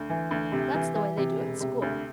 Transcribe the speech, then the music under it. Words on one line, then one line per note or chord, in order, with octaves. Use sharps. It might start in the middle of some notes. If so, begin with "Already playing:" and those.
That's the way they do at school.
Already playing: D2
E3
D2
C3
E3
E3
C3
E1
C3
D2